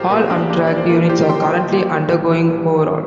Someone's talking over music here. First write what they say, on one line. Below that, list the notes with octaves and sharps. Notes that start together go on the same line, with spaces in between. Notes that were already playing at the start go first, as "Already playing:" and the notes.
All Amtrak units are currently undergoing overhaul.
Already playing: A#1 F4 G4 A#4 C5
A#2 G3 A#3 F4 A#4
D4 G4
A#1 D4 G4
D5
C5
A#2 G3 A#3 F4 A#4
G4 C5
A#1 G5 C6
A#2 G3 A#3
A#1
A#2 G3 A#3